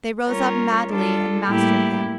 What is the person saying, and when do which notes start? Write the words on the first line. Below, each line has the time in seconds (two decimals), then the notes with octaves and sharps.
They rose up madly and mastered him.
0.27 G3 C#4 F4 A#4 C#5
0.88 G3 D4 F4 A4
1.48 A2 G3 A#3 E4 G4